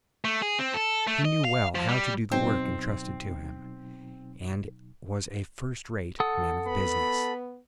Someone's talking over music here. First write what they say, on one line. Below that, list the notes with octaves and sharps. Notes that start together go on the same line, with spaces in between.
He knew well how to do the work intrusted to him, and was a first-rate man of business.
A3
G#4
C4
A4
A3
D#5
F5
F3
G3
B2 F#3 C4 D#4
A4 F#5 D#6
B3 B5